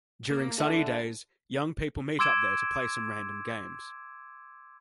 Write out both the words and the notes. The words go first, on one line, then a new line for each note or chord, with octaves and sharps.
During sunny days, young people meet up there to play some random games.
A#3
D3 A3 F#5
C6 D6 E6 G#6 D7 E7